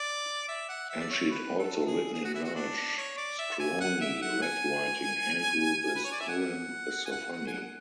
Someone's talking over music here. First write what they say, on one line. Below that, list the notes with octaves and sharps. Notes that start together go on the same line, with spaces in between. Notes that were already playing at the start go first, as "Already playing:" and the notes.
And she'd also written in large, scrawny red writing, Andrew-this poem is so funny.
Already playing: D5
E5
F#5
E5
D5
C#5
B4
A4
G#4
G#4
F#4
E4
F#4
D4
C#5
D5
E5
G#5
F#5
E5
F#5
G#5
B4
C#5
D5
E5
F#5
G#5
F#5
F#5
G#5
F#5